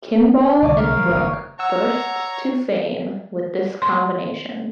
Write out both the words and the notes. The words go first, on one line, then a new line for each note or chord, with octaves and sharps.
Kimball and Brooke "burst to fame" with this combination.
C2 D3 C#5 G#5 D6
A#4 C#5 F5
F3 G3
F#1 A2 D#3
C#5 F#5 A#5 E6
C6